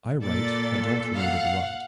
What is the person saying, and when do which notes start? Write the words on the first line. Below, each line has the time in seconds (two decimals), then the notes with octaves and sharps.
I write "adulterated" rot.
0.23 A#2 A4 D5 A6
1.15 F5 F#5